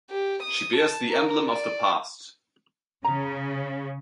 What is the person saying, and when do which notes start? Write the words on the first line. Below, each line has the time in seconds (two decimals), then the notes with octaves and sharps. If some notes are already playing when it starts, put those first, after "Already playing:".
She bears the emblem of the past.
0.10 G4
0.42 D#6
0.76 A5
1.10 A#4
1.48 D5
3.05 C#3 A#5